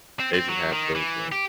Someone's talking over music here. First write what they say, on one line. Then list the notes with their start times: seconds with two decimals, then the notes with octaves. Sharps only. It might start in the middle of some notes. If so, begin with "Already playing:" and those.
They just had those, uh
0.20 C4
0.34 C4
0.49 F#3
0.73 D#3
0.95 E3
1.32 G4